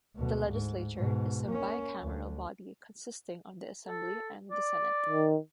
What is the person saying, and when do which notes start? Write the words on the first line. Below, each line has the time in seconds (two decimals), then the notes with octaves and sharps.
The Legislature is a bicameral body consisting of the Assembly and the Senate.
0.17 D2 B2
0.50 G#2
0.96 G#2 B2
1.47 A#3 C#4
2.02 D2
3.87 A4
4.51 D5
5.09 D#3